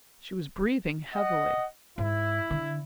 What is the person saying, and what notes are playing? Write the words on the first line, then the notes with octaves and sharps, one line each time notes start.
She was breathing heavily.
D#5 F#5
G#2 E4
D3